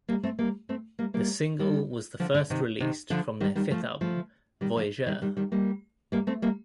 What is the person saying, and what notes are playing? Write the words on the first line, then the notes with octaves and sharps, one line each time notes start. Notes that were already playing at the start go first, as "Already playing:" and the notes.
The single was the first released from their fifth album, "Voyageur".
G3 A#3
A3 C4
G3 A#3
A3 C4
G3 A#3
G3 A#3
D#3 G3
D3 F3
D3
C3 D#3
C3 D#3
D3 F3
D#3 G3
D#3 G3
F3 A3
F3 A3
D#3 G3
D3 F3
D#3 G3
D#3 G3
D#3 G3
G3 A#3
G3 A#3
A3 C4
G3 A#3